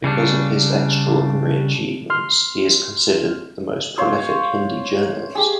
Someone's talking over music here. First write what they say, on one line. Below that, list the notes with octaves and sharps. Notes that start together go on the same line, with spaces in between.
Because of his extraordinary achievements, he is considered the most prolific Hindi journalist.
C#3 G3 D4
C6 F6
C5 C#5 F5 C6
G4 G#4